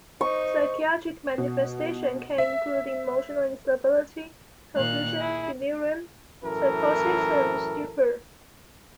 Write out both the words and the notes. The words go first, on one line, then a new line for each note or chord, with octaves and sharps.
Psychiatric manifestation can include emotional instability, confusion, delirium, psychosis, and stupor.
D#4 C5 C#6
B2
E5
A#2 D#3 F5 F#6
E4 G#4
F#2 A2 E3 A4 A#4